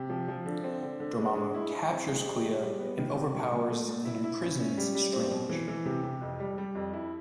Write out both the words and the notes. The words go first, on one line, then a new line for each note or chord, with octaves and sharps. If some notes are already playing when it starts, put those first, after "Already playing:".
Dormammu captures Clea, and overpowers and imprisons Strange.
Already playing: C3
F3
F3
D3
C4
D3
D3
G#3
G#3
E4
E4
C4
G#3
G4
G#3
G3
B3
D#3
C3
F#3
A#2
A3
A#2
E4
E4
C#4
C#4
G3
G3
C4
B2
E3
E3
C3
C3
F2
G3
G3
F2
E4